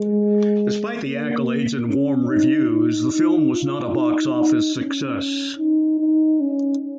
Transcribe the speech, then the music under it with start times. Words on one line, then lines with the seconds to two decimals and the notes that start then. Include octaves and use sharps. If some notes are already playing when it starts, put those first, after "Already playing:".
Despite the accolades and warm reviews, the film was not a box office success.
Already playing: G#3
1.05 A#3
1.88 C#4
2.29 D#4
2.70 D#4
3.12 D#4
3.53 F4
3.94 D#4
4.35 D#4
4.76 C#4
5.58 D#4
6.00 D#4
6.41 C#4